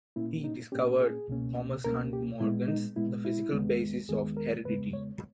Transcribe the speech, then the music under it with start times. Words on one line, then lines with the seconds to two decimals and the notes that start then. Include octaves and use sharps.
He discovered Thomas Hunt Morgan's The Physical Basis of Heredity.
0.16 A#2 A#3 C#4 E4
0.44 D#4
0.72 A#2 A#3 C#4 G4
1.01 G#4
1.28 C#2 B2 A#3 C#4
1.84 C#2 B2 A#3 C#4 A#4
2.13 G4
2.40 A#2 G#3 B3 E4
2.68 D#4
2.96 A#2 G#3 B3 E4
3.25 E4
3.53 D#2 D#3 G#3 B3
4.09 D#2 D#3 G#3 B3 G#4
4.37 A#4
4.65 E2 C#3 G#3 B3 B4
4.93 C#5